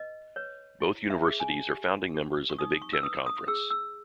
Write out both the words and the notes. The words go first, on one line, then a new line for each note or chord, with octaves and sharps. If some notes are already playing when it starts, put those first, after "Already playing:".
Both universities are founding members of the Big Ten Conference.
Already playing: B4 D#5
B4 C#5
E4
E5
G#4
G#5
G4
G4
C#6
D#4 D#6
C#6
E6
B4 D#6
D#6
G#4 E6
E6